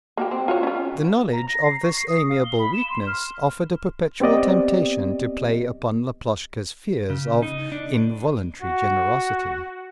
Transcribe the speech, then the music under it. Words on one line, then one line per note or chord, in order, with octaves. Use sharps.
The knowledge of this amiable weakness offered a perpetual temptation to play upon Laploshka's fears of involuntary generosity.
A#3 F#4 G4
C4
F4 F#4 C#5
C#4 F4
A#5
A#6
C7
C#6
C7
D#6
F5
G7
B5
E7
C6
F6
B3 C4 G4 D5 D#5
C#3
D#4
D4
F#4